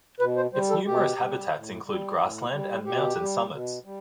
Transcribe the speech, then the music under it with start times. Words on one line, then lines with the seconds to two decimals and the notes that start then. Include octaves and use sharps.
Its numerous habitats include grassland and mountain summits.
0.20 B2 B4
0.36 C5
0.53 G3 C5
0.70 A4
0.87 B2 G4
1.20 G3
1.53 A2
1.86 G3
2.19 A2
2.52 G3
2.86 B2 G4
3.19 G3
3.52 B2
3.85 G3